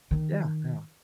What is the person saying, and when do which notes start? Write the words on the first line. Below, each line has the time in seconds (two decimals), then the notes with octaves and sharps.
Yeah, yeah.
0.11 D#3 D#4